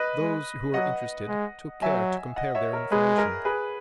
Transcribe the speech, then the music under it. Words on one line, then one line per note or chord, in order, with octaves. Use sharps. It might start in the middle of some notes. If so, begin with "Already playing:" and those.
Those who were interested took care to compare their information.
Already playing: B4 D#5
G#3
F#3 D#5 F#5
G#3
F#3 E5 G#5
D#5 F#5
C#5 E5
A#4
G#3 G#4 B4
A#4
G#4 B4